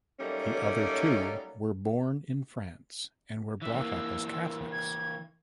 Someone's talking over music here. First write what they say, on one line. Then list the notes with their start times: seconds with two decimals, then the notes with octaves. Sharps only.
The other two were born in France and were brought up as Catholics.
0.20 F#3 G3 A3 A#3 C#4 D#4
3.62 E3 C#4 E5
3.74 E3 A#3 E6
4.72 G#6